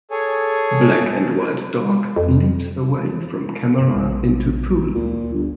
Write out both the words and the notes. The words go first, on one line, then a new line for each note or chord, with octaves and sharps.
Black and white dog leaps away from camera into pool.
G#4 A4 C#5 G#5
F2
G2
A#1
D2 A#2
G1